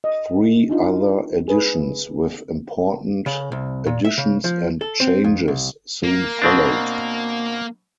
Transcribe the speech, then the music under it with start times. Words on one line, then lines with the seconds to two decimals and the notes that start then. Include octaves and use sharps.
Three other editions, with important additions and changes, soon followed.
0.04 D#5
0.70 D4 D#4 F4
1.48 G#4 B4
3.26 C#3
3.52 C2
3.86 A#2
4.05 E5
4.18 C#3
4.44 F3
4.81 A4
5.00 C4
5.24 F2
5.48 C2
6.03 A#3
6.42 B2 C4 D4